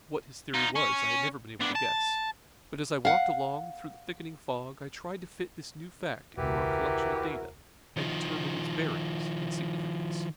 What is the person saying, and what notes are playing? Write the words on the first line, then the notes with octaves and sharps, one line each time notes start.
What his theory was I had never been able to guess, but as I walked along through the thickening fog I tried to fit this new fact into our collection of data and determine its bearings and significance.
D#4 F4
C#4
B2 D4
A5
F5 F#5
E1 C#2 E3 E4 F#4 G4 A#4
D#3 F3